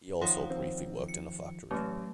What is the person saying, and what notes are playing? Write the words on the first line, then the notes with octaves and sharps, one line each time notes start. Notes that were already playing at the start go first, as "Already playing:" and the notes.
He also briefly worked in a factory.
D#3 F3 C#5 F5 F#5 C6
C4
C#7
A1 F#3 A3